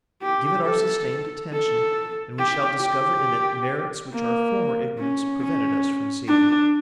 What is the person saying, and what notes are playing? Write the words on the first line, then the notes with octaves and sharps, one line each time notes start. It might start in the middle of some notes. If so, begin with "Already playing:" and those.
Give it our sustained attention and we shall discover in it merits which our former ignorance prevented us from seeing.
G4
A4
A4
G4
G4
A#3
C#4
C#4
D4